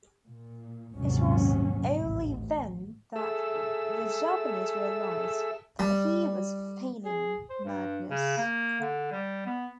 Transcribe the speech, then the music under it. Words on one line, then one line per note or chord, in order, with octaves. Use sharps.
It was only then that the Japanese realized that he was feigning madness.
A#2
A#1 D#2 G#2 C3 F#3 C#4
A1 D2
G#4 A4 E5 E6
G3
G#4
C5
G2
C#3
A#3
D3
G3
B3